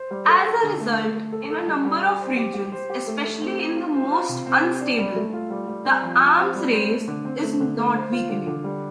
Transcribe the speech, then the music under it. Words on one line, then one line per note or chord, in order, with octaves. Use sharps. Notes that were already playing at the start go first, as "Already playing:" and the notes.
As a result, in a number of regions, especially in the most unstable, the arms race is not weakening.
Already playing: C5
G3
A4
A4
D3
A3
A3
A3
A4
A4
G3
G3
G4
C5
G4
G4
C5
G4
A3
A3
C4
G4
F4
C5
F4
C3
C4
G4
D4
G3
A3
F4
G3
G3
C4
F3
F4
C4
G3
C5
A3
D3
C4
A3
D3
A3
C5
F4
D3
D3
G3